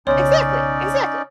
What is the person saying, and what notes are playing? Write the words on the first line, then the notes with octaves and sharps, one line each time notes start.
Exactly, exactly.
B1 C#3 C#4 D#4 C#5 D5 C6